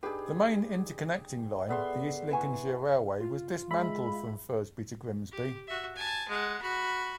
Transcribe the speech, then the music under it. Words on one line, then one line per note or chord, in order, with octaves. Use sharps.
The main interconnecting line, the East Lincolnshire Railway, was dismantled from Firsby to Grimsby.
D4 D#4 G4 G#4 B4
B3 G#4 A4 D5 E5 C6
E4 B4 F#5 G#5 C#6
F4
G#3 E5 B5
G4
F#4 E5
G#5 A5
G#3 F#5
F#4 B5